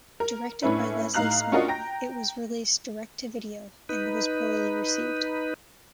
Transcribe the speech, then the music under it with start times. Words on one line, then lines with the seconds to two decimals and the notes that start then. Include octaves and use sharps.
Directed by Leslie Small, it was released direct-to-video, and was poorly received.
0.20 A#4
0.62 A2 C#4 D4 E4 B4
1.14 A2 D#4 F5 A#5 F#6 F#7
1.52 C#4 D4 F4 F#4 A#4 D#5
1.68 G5 A#5 A#6
3.89 D#4 B4